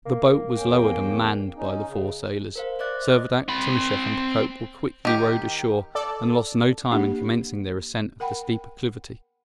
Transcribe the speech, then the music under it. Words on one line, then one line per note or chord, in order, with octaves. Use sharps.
The boat was lowered and manned by the four sailors; Servadac, Timascheff and Procope were quickly rowed ashore, and lost no time in commencing their ascent of the steep acclivity.
A#3
E2 C#4 G5
C#4 D#4
C#3
A#4 C5 F5
C5 D5 E5 D6 F#6 A6
D#5 E5
C4 B5
D#3 G4
A4 D5
A#3 D4 G4
A#4 F#5 G5 B5